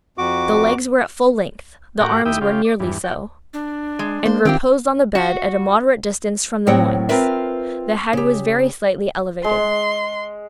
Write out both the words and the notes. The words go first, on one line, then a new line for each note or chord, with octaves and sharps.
The legs were at full length; the arms were nearly so, and reposed on the bed at a moderate distance from the loin. The head was very slightly elevated.
F2 F#4 D6
A2 F#4 G4 A#4 F#5 D6
D#2 E4 G4 E5 G5 D#6
C#3 F4 G4
D5
E2 G2
F#4 G5
D4
G#3
A#3 C5
D#3 C4 F4 G4 G5
F#4
A2 F#3 C4 C#5 F#5 G5
C4 F4 A#4 B4 E5
C#3 G4
G#3 C6